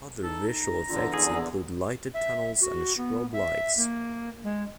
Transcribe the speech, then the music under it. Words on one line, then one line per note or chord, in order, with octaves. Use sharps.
Other visual effects include lighted tunnels and strobe lights.
D#4 A4
A#5
E2 D3 F4
D#4 G#4
E5
F#4
B3
E5
A#3
G#3